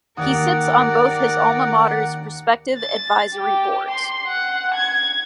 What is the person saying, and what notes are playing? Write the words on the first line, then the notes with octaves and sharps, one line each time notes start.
He sits on both his "alma maters"' respective advisory boards.
D#2 A#4 D5 F#5 D#6
A6
G4
C6
F#5
G#6